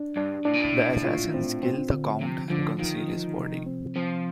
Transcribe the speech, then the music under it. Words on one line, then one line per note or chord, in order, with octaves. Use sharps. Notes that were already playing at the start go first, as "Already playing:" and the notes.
The assassins kill the Count and conceal his body.
Already playing: D4
G2 D4
A2 D4
A#2
A2
A#2
F4
C4
C4
D3
C3 F3
D3 F3
D#3 F4
F3
C3
C4
F3 C4